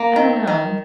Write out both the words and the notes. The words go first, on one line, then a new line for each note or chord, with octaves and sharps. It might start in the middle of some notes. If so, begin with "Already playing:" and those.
I don't know.
Already playing: A#3
D#3
D#3